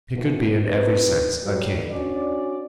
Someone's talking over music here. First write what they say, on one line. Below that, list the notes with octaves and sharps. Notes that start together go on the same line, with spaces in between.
He could be in every sense a king.
B2 D3 D#3 F3 A3 B3
F2 C3 D#4 A#4 B4
F#3 G3 F#4 A4 B4 D5
C#4 D4 F#4 D5